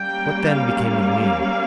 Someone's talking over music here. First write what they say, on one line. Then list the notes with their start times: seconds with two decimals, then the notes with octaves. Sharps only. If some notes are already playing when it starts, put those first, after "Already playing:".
What then became of me?
Already playing: G3 A#3 C#4 G5
0.48 F5